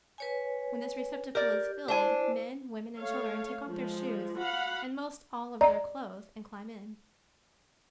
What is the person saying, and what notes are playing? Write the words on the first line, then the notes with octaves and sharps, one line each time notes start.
When this receptacle is filled, men, women and children take off their shoes and most all of their clothes and climb in.
B4 C#5 G#5
G4 A#4 D5
D4 E4 C5 G#5
A3 C#5 F5
F3 G#3
F#4 F5 F#5 B5
D5 D#5 A#5